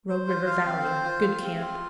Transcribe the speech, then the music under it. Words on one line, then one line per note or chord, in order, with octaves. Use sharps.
Rogue River Valley.--Good camp.
C5
F4
F5
C4
C5
F4
F5
C4
F4